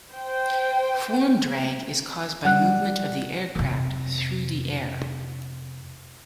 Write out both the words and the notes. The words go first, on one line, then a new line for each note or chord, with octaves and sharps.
Form drag is caused by movement of the aircraft through the air.
C5 G5
G3 F#5 F#6
F2 C3